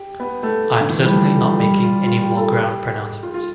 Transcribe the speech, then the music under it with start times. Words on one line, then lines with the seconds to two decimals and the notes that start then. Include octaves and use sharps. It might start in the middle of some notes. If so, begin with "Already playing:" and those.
I'm certainly not making any more grand pronouncements.
Already playing: G4
0.20 B3
0.43 A3
0.81 D3
0.89 E3
0.97 F3
1.05 G3
1.13 A3
1.49 F3
1.59 G3
1.73 G4
1.83 F4
2.06 F4
2.22 G4
2.37 A4
2.52 G4
3.23 F4
3.34 F4